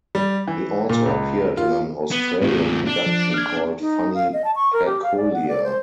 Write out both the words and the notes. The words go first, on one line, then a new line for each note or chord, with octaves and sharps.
He also appeared in an Australian production called "Funny Peculiar".
G3
E3
A#2
C#2
F4
B3
E2 A2 A3 C4 F4
D4
F3
F6 G#6
D#4
F5
D#5
A5
C#6
A#4
G4
F5
D5
F#5
D5
C5